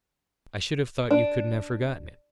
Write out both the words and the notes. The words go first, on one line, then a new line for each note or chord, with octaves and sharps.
"I should have thought you couldn't have forgotten it?"
D4